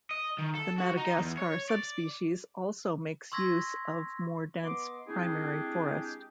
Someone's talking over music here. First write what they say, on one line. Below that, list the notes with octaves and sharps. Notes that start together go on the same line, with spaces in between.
The Madagascar subspecies also makes use of more dense primary forest.
D#5
D#3
A4
F#4
D#4
E2
C#5
D5
C6 C#6 E6 G#6 A#6 B6
B3 D#5 C6 D6
G#3 C4 D4 E4 G4 G#4